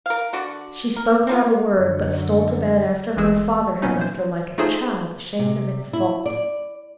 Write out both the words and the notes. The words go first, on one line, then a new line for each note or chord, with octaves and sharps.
She spoke not a word, but stole to bed after her father had left her, like a child ashamed of its fault.
A#4 F5
D3 F#4 D5
A#4
C4 D#4 F4
F#2 D3
G1 D2 E3 G#3 G#4 E6
A#2 F#3 B3 C#4 D#4
C5
A3 D#4 F4 G#4 A4 C5
C3
E4
D5